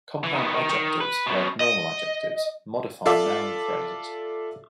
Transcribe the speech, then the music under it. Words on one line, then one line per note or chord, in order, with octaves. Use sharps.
Compound adjectives, like normal adjectives, modify noun phrases.
E3
D#3 B3
D#3
D#3
B4
F#2 B2
D#5
F4 A4 D5 E5